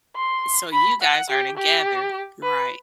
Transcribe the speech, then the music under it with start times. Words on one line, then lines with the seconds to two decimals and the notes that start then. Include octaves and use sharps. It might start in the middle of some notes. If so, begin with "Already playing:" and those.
So you guys are together, right.
0.17 C6
0.73 B5
1.02 F#5
1.30 G4
1.58 G4
2.43 B4